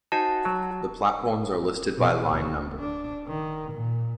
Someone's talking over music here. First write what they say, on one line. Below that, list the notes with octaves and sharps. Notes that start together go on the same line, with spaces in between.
The platforms are listed by line number.
D#4 F#4 C5 G#5 A5
F#3
B2
D2
D4
D#3
A#2